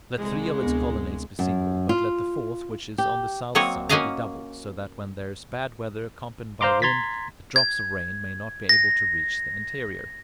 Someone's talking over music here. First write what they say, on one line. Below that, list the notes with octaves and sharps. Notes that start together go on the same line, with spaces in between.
Let three of its colonnades be single, but let the fourth, which is on the south side, be double, so that when there is bad weather accompanied by wind, the drops of rain may not be able to reach the interior.
C2 G#3
D2 B3
F#2
F4
G4
F#3 A#3 C4 C#5 D#5
A#3 C#4 F#4 D#5 F5 A#5
C5 F5 A#5 C6 D6
A#5 C6 G#6 A6 B6
G#6
A#6